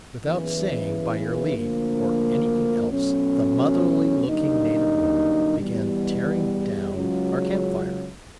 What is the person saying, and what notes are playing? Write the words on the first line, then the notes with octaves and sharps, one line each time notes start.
Without saying by your leave or anything else, the motherly looking native woman began tearing down our camp fire.
F#1 E2 C#3 E3
D2 D3 F3 A#3
B2 F#3 A3 C#4
F#2 D3 G3 A#3 D#4
E2 B2 G3
C#2 C#3 F#3